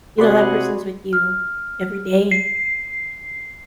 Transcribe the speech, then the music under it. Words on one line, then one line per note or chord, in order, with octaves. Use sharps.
you know, that person's with you every day
C3 F#4 G#4 D5 F#5 B5 C6
F6
C7